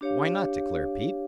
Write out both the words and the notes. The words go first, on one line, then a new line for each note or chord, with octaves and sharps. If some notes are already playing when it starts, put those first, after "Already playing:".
"Why not?" declared Pete.
D4 G4 C#5 F5